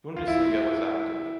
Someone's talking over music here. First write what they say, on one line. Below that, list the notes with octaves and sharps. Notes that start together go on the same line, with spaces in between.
Bundesliga was active.
F4
E4